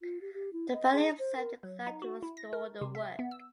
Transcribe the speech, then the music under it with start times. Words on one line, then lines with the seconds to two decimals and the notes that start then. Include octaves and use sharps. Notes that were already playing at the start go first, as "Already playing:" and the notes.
Dobell himself declined to restore the work.
0.01 F4
0.21 G4
0.34 G4
0.53 E4
0.73 D#5
0.92 G#4
1.19 C5
1.36 A#4
1.63 F#3
1.87 D#4
2.02 F#4
2.23 E4
2.37 A#6
2.53 A#4
2.81 C3
2.95 E5
3.19 B3
3.31 E6